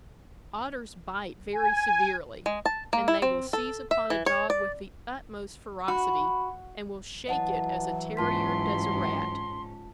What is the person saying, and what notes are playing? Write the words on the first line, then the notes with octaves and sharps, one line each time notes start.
Otters bite very severely, and they will seize upon a dog with the utmost ferocity, and will shake it as a terrier does a rat.
G#5
G#3
A5
A#3
E4
C4
A4
E5
E3
C#5
D5
F#4 B5
E3 F#3 D#5 F#5 A5
G#2 C#4 F4 A5 C6 B6